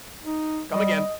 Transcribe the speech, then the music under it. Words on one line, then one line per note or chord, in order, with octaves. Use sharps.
come again."
D#4
G3 D#5